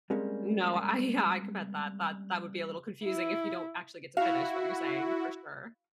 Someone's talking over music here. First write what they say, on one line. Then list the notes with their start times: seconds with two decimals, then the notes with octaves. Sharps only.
No, I yeah. I can bet that that that would be a little confusing if you don't actually get to finish what you're saying for sure.
0.10 G3 G#3 A#3 C4 C#4
3.05 E4
4.17 E4 F#4 F5